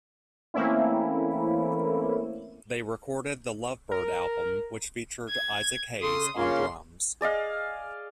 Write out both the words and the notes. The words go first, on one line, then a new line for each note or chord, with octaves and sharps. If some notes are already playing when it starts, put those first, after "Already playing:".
They recorded the "Love Byrd" album, which featured Isaac Hayes on drums.
E3 A3 A#3 C4 C#4 E4
A#4
G#6
C#3 A4 C6 D#6
C#3 A#3 C#4 F4 C6
G#4 D5 D#5 F5